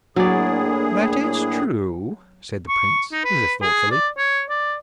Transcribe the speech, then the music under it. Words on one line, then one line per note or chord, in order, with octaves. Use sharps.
"That is true," said the Prince, as if thoughtfully.
A2 F#3 A#3 D4 G#4 D5
C#6
D#4
B4
G#4
D5
C#5
D5